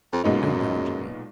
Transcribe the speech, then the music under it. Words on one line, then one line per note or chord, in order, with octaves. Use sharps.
No die Jimmy.
F2
B1 F#2 A#2 G#3 B3 D#4